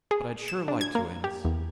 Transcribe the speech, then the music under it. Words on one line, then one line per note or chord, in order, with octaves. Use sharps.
But I'd sure like to, Amos.
G#4
E7
D4
G#6
A#3
G4
E2